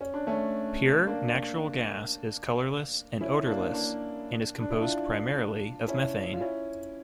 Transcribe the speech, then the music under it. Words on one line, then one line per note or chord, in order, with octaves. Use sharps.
Pure natural gas is colorless and odorless, and is composed primarily of methane.
C#4
D4
A3 C#4
A#3 D4
C#4 E4
A#3 D4
A#3 D4
D4
E4
D4 F4
C#4 E4
F4
C#4 E4